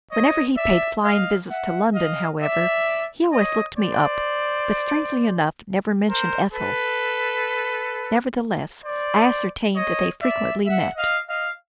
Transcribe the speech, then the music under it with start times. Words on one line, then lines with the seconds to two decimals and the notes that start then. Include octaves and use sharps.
Whenever he paid flying visits to London, however, he always looked me up, but, strangely enough, never mentioned Ethel. Nevertheless, I ascertained that they frequently met.
0.10 C#5 D#5
0.56 D5 E5
1.02 D#5 F5
1.48 E5 F#5
1.94 D#5 F5
2.40 D5 E5
3.31 C#5 D#5
3.78 C5 D5
6.07 A#4 C5
6.53 A4 B4
8.83 C5 D5
9.74 C#5 D#5
10.20 D5 E5
10.66 E5 F#5
10.96 D#5 F5
11.27 D#5 F5